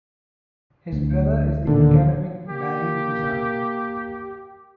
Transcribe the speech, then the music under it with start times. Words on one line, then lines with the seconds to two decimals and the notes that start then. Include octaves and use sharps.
His brother is the academic Barry Buzan.
0.92 D2
1.67 D1 A#2 D3 D#3
2.49 A#3 G4